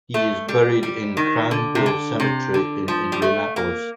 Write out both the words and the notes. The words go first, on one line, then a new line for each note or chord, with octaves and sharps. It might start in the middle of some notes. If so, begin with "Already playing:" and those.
He is buried in Crown Hill Cemetery in Indianapolis.
A3
G3
G3
D#3
D3
C3
D3
C3
D3
F3
G3
A3
A#3